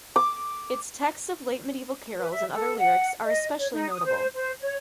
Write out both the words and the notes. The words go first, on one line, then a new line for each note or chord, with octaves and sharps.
Its texts of late medieval carols and other lyrics are especially notable.
D6
B4
E5
A4
F#5
D#5
C#5
D#4
D#6
C5
C5
C#5